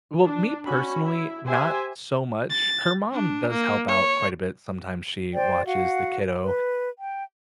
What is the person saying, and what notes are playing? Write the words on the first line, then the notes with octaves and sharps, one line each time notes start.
Well, me personally, not so much. Her mom does help out quite a bit. Sometimes she watches the kiddo,
D4
C#4 F#4 B5
E4 E5
G4 C5 E5 G#5
A6
D4
A#3
C#5
C5 D5 G5
F#4 F5 F#5
B4
G5